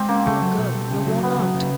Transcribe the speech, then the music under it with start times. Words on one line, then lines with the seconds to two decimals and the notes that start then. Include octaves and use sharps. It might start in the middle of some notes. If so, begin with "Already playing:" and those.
Poor girl, you're worn out.
Already playing: G#3 C4 G4
0.09 A#3 C#4
0.26 C#3 A3
0.42 F#3
0.58 B2
0.74 G3
0.90 C#3
1.06 F#3
1.23 C#3 B3
1.39 F#3
1.54 C#3